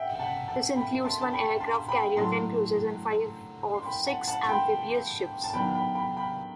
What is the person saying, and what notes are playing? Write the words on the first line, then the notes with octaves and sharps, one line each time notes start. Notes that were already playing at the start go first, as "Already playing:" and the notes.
This included one aircraft carrier, ten cruisers and five of six amphibious ships.
Already playing: E5 F#5 G5
G5
F#5 A5
F#5 A5
G5 B5
A5 C6
A5
G5 B5
A5 C6
G5 B5
A2 F#3 A3 A5 C6
C6
G5 B5
F#5 A5
F#5 A5
C6
G5 B5
A5
D#3 F#3 B3 G5 B5
G5 B5
G5 B5
G5 B5